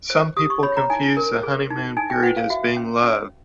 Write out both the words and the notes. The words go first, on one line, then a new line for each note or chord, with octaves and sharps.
Some people confuse the honeymoon period as being love.
C5
G4 D#6
C#6
C#5 B5
A#5
D#4 G#5
A#4
G#4
D#4
D#4 G#5
G5
B4 F#5
F5
F#4 E5
C#4
C#4